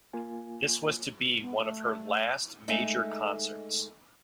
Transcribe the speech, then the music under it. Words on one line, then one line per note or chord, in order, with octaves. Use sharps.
This was to be one of her last major concerts.
A#3 F4 G#5
B3
A3
G#3 A3 D#4 A4 E5 G#5